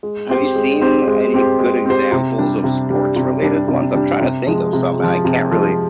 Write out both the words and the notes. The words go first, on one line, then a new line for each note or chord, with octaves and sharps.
Have you seen any good examples of sports related ones? I'm tryna think of some, and I can't really
G#3
C4 G4 C5
G#3
C4 G4 C5
G#3
C4 G4 C5
G#3
C4 G4 C5
C3
G3 D4
C3
G3 D4
C3
G3 D4
C3
G3 D4
C3
F3 G#3
C3
F3 G#3
C3
F3 G#3